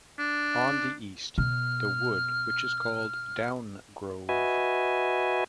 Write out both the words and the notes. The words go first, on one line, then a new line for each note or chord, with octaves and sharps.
On the east: the wood which is called down-grove.
D4
B2 F6
F#4 B4 D#5 E5 G#5